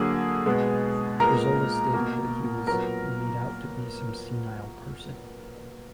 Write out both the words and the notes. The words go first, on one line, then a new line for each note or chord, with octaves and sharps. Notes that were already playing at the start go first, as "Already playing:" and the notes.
Brizola stated that he was "made out to be some senile person".
Already playing: D3 F#3 A#3 G#4
B2 G#3 B3
A#2 G#3 B3 A#4 A#5
B2 A#3
A#2 F#3 B3 A#4 A#5